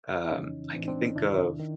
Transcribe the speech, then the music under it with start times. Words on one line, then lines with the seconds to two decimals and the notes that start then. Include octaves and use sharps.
uh, I can think of
0.25 E4
0.31 F2 C#3 E3 C#4 D#4
0.73 A2 E3 C4 D4
0.82 D#4
0.88 C4 D4
1.02 C#4 D#4
1.15 E2 C3 D#3 D4 E4
1.59 D#3